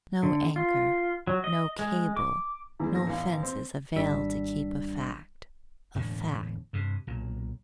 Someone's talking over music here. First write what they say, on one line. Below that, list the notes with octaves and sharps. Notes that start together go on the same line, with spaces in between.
No anchor, no cable, no fences avail to keep a fact a fact.
D3
F4
F#3
D#5
G#3
D6
E2 E3 G3 G#3
G1 A#2 A#6
A1 F5
C4
G#1 G3 D4 E6 B6
E1 A2 D3
G2 C3
B1 A#2